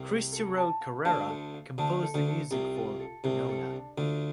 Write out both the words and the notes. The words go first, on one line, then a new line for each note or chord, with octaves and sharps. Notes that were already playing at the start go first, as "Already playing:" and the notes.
Cristy Road Carrera composed the music for "Nona".
Already playing: C2 C3
C5
A4
A5
F5
D2 D3 A5
A4
F5
D2 D3 A5
A4
D2 D3
A4
C2 C3 F4
F4
A4
C2 C3 D4
A4
D4
D2 D3 F4